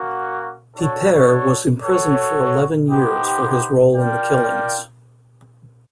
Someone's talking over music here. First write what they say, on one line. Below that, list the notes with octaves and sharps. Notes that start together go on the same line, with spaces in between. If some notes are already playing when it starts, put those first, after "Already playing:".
Peiper was imprisoned for eleven years for his role in the killings.
Already playing: A#3 C#4 F#4
D4 F#4 A4 C#5
F#4 A4 C#5
B3 D#4 G4 C5
F4 A#4 D5 G5